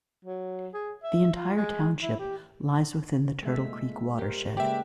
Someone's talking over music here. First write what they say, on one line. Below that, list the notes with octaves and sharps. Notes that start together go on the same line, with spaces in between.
The entire township lies within the Turtle Creek Watershed.
F#3
G#4
E5
F4
G#3
E4
G4
A#2 G#3 A3 E5
G4 A#4 C5
C#3 G#3 A#3 G4 B4 D5 E5 G5